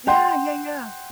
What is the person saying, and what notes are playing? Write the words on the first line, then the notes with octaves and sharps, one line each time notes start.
yeah, yeah, yeah,
F#5 G5 C6